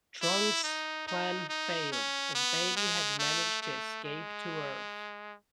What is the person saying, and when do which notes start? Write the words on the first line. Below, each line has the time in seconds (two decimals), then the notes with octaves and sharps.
Trunks' plan fails as Baby had managed to escape to Earth.
0.22 E4
0.64 D#4
1.07 D#4
1.49 D#4
1.92 C#4
2.35 B3
2.77 G#3
3.19 A3
3.62 A3
4.04 G#3